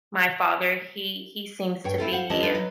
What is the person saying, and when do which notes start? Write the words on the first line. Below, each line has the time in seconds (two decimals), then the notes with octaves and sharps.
My father, he he seems to be
1.84 G2 C#5 G5
1.98 C4 E4 F4 A4
2.12 C5 F5 F#5
2.30 D2 E3 G3 C#4 D#5 A5
2.43 G#3 D4 D#4 F4 B4
2.55 F#3 B4 D#5